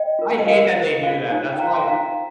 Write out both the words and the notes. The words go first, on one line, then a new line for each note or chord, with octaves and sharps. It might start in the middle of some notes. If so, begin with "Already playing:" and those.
I hate that they do that, that's why
Already playing: D#5 G5
F4 A#4
D#5
F4 A#4 F5
F4 C5
F4 C5 F5
D#4 C5
G5
F4 C5 F5 A#5
G5 C6
D#4 C5 F5 A#5